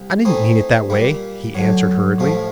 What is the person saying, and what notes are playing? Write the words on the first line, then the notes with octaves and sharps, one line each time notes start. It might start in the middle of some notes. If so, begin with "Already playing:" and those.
'I didn't mean it that way,' he answered hurriedly.
Already playing: C2
E3 A3 C4 D#4
A#2 G3 A#3
D2 D3 F#3
A1 A2 F3 A3